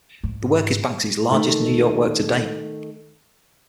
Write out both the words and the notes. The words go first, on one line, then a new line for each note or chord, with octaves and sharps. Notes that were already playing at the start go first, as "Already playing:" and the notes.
The work is Banksy's largest New York work to date.
G#2
D#3 A3 E5